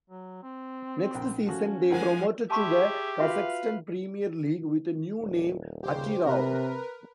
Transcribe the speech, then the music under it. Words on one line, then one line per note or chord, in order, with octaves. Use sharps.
Next season, they promoted to the Kazakhstan Premier League with a new name Atyrau.
F#3
C4
A#1 G5
F3 A3 C#4 F#4
F3 G#3 A#4 C5 F#5 G#5
G4 G#4 E5 A5 C6 C#6
F4 F#4 B4 E5 F5
D#1
C#3 G4 C5
C3 C4 A#4 B4